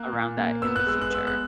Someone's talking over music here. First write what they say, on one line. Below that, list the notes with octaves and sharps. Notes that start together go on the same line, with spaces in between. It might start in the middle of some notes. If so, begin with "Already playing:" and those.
around that in the future.
Already playing: A#3 F#6
A#2
A#3
B3 E6
F#6
G#3 E6
F#6
B3 E6
F#6